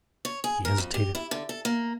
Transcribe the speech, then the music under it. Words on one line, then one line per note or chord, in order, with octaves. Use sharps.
He hesitated.
C#5
G#4
A#4
F2
G4
E4
D3
A4
A#3